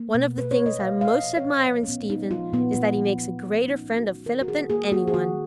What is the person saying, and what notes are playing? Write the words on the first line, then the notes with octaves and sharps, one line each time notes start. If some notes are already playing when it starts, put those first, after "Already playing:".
"One of the things I most admire in Stephen is that he makes a greater friend of Philip than any one."
Already playing: A#3
B2
B2 B4
C#5
B2
D#5
A#2 F5
A#2 F5
D#5
F3
C#5
A#2
F3
C#4
A#2 B3
G#3 D#4
F3 F4
A#2 B3
A#2
F3
A#2
A#2
A#2 C#4
D#4
A#2
F#4
G#3
D#3 A#4
F#4
D#3 G#4
A#3 G#4
A#3 F#4
G#4
D#3 F#4